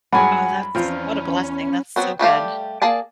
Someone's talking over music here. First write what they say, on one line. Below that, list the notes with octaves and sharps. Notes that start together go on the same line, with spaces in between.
Oh, that's what a blessing, that's so good.
G2 F#3 G#3 F#5 G#5 B5
E2 F3 C4 C#4 F4
F#3 B3 C4
G3 A3 G4 F5
A#3 G#4 D5 A5